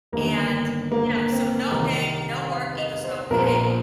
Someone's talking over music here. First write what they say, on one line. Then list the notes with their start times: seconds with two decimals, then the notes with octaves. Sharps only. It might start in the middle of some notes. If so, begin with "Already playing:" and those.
And, you know, so no day no work equals no pay,
0.12 G1 G2 D#3 A#3
0.92 A#3
1.32 C4
1.71 C2 C3 D#3 A#4
2.51 F5
2.78 D#5
3.04 C5
3.30 A#1 A#2 F3 A#4
3.39 C5
3.47 A#4